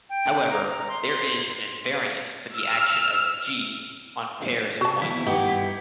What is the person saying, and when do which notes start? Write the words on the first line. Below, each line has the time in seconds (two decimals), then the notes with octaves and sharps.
However, there is an invariant for the action of "G" on "pairs" of points.
0.10 G5
0.49 A#5
0.88 C6
2.49 E6 F6
4.81 C3 F#4 A5
5.02 D#3 F3 B3 E4
5.27 G2 B3 D#4 G4 F#5 A#5